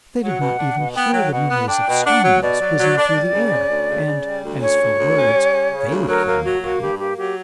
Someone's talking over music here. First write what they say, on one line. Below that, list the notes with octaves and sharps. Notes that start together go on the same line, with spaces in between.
They did not even hear the noise of stones whizzing through the air, and as for words, they would kill nobody.
F#3 F#5
B2
D4
B2
B3 G5
F#3
B2 F#5
B3
D4 G5
B2
D4 F#5
F#3
B2 D5
F#3
F#3
D4
G3
C#3
C#4
D2
C#3
C#3
G3
D2
C#4 C#5
D2
D2
C#4
G3
C#4
C#3
D2
F#3 A#4
A#3 A#4
F#3 F#4
A#3 F#4
G2 G4
A#3 G4
F#3 G4